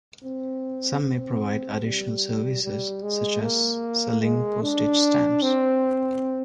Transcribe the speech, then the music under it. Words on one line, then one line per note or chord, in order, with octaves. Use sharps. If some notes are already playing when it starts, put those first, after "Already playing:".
Some may provide additional services, such as selling postage stamps.
C4
C4
G3
G3
G#3
A#3
G#3
D4
C4